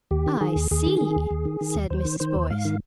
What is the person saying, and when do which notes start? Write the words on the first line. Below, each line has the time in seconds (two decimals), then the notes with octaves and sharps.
"I see!" said Mrs. Boyce.
0.11 D#2 G4
0.26 D#3
0.41 D#3 G#4
0.56 D#2
0.71 D#2 G#4
0.86 D#3
1.01 D#3
1.16 D#2
1.31 D#2
1.45 D#3
1.61 D#3
1.75 D#2
1.90 D#2 C5
2.05 D#3
2.20 D#3 C5
2.35 D#2
2.50 G#2 F5
2.65 D#3